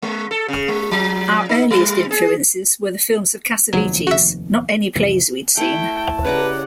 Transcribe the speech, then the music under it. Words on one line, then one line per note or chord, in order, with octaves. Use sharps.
Our earliest influences were the films of Cassavetes, not any plays we'd seen.
G#3
A4
C#3
G#3
F3
D#4
G3
G#4
F1 D#2 F3 F#3
F#4 E5
C2 F2 E3
A3 E4 G5 A5
C#3 G4 B4 D5 F#5 A#5